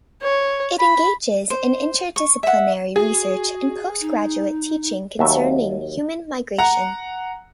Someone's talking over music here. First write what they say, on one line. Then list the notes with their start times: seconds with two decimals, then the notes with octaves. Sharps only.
It engages in interdisciplinary research and postgraduate teaching concerning human migration.
0.23 C#5
0.79 B5
1.50 C5
2.16 C#6
2.43 E5 F#5
2.96 F#4 G#4
4.01 D#4
5.19 D#2 F#3 E5
6.58 F#5 A#5